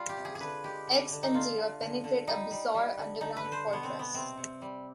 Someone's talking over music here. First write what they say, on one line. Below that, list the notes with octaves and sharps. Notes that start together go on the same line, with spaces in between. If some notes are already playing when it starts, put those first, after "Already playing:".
X and Zero penetrate a bizarre underground fortress.
Already playing: G3 F4
G4
C3
G#4
G#4
D3 B4
G#3 G4
D3
D3
D#4
D3 F4
D3
D3
D3
G3 D#4
G3
G3
D3
D3 D#4
B4
D3
C5
B2 B3
C4
B2
B3
C3 C4
C3
G3